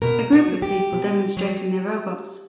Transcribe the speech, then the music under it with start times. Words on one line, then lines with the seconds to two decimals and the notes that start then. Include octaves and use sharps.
A group of people demonstrating their robots.
0.02 B2 A#4
0.33 F#4
0.48 F#3
0.62 G4
0.92 B2
1.37 F#3